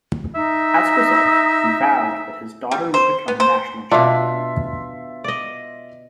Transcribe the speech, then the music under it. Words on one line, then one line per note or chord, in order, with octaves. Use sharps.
As a result, he vowed that his daughter would become a national champion.
D#4 E5
G3
C5
B3
C5
B2 D4 F4 E5 C6
D5 D#5